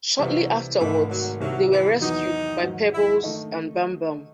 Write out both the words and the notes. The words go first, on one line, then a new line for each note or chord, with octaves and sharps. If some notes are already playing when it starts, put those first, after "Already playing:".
Shortly afterwards they are rescued by Pebbles and Bamm Bamm.
C2 C3 E3 F#3 C4
G#1 G#2 D#3 E3 A3
F#3
C2 C3 D#3 F#3
E3
E2 D#3 F#3 D#4
G#2 D#3 F#3
E4
D#3 A3 D#4